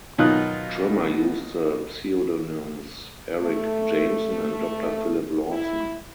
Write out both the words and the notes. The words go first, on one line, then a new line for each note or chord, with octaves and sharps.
Trimmer used the pseudonyms Eric Jameson and Doctor Philip Lawson.
B2 D#3 F#3 D#4 F4 F#6
A3
E4